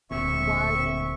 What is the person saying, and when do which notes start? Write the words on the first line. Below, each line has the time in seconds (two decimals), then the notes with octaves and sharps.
why li
0.11 D1 D2 A#2 C4 E5 C#6